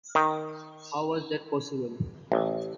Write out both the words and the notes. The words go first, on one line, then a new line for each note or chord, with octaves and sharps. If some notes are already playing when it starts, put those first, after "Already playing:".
How was that possible?
D#3
A1